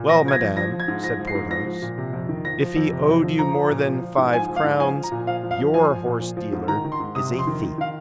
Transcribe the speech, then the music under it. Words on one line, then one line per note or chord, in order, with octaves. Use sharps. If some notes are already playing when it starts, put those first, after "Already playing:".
"Well, madame," said Porthos, "if he owed you more than five crowns, your horsedealer is a thief."
Already playing: A#2
F3 A#6
F3 G#6
A#6
F2
F3 A#6
F3
G#6
G#2
F3 A#6
F3
C7
G#2
F3 A#6
F3
A#2
C3
F2
D#3
F3 A#6
F3
F2
C3
F2
F3
F3 A#5
F3
A#2
F3
F3
G#2
F3 G#5
F3
F5
G#2
F3 G#5
F3
A#5
A#2
F3 F5
F3
F5
F2
F3 G#5
F3
A#2
F3
F3
G#2
D#3 A#5
D#3
C6
G#2
C3 D#6
F2
C6
D#3
D#3
D#3 F5